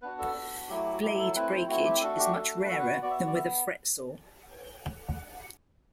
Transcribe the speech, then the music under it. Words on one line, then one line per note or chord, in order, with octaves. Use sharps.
Blade breakage is much rarer than with a fretsaw.
B3 D4 F#4 B4
A4
B3 D4 F#4
F#3 A3 E4 G4
F#4
G4
F#4
F#3 A3 E4 G4
A4
A3 C4 E4 B4
C5
A3 C4 E4 F#4
G4
A3 D4 F#4 A4
G4
A3 D4 F#4 A4
B4
B3 F#4 A4
B4
B3 F#4 D5
E5
D5
B3 E5